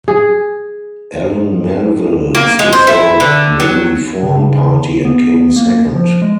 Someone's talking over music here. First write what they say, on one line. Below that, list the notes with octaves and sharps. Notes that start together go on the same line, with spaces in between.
Ellen Melville stood for the Reform Party and came second.
G#4
A#3
G#3
C5
E4
D3
F#3
C#3
B3
A#3
F3
G#3